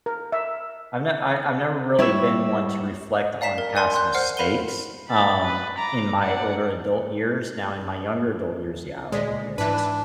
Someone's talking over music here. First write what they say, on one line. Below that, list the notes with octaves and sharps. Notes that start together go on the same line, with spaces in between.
I've n I I've never really been one to reflect on past mistakes, um, in my older adult years, now in my younger adult years, yeah, oh my goodness,
A#4
E5
G3 E4 C#5 E5
D5 F5 A#5 B6 E7
A#4
D5 G#5 C6
C6 F#6 G6
C5 F#5 F6 C7
A#4 F5 B5 D#7 G7
B5 A6
B4
A#5 D6
D5 F#5
A#2 G#3 D5 B6
G#2 E3 D4 B4